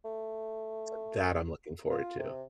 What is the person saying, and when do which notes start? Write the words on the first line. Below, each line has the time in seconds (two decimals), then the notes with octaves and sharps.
So, that I'm looking forward to.
0.05 A3
1.90 F4
2.19 C3